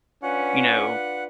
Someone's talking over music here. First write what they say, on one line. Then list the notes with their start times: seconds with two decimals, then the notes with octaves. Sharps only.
you know
0.23 C#4 D4 F4 B4 F#5